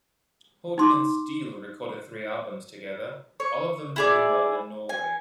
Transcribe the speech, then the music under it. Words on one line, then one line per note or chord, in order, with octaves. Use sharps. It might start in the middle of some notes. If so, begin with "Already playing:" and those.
Holton and Steel recorded three albums together, all of them doing well in Norway.
D#4 C6 D6
C#5
E4 G#4 D5
G#5